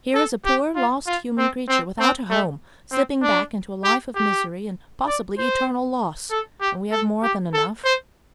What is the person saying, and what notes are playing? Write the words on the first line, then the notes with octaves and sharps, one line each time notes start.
Here is a poor, lost human creature without a home, slipping back into a life of misery and possibly eternal loss, and we have more than enough.
A4
G4
F4
F4
C4
C4
C4
A3
C4
D4
G4
G4
D5
C5
A4
G4
A4
G4
A4
C5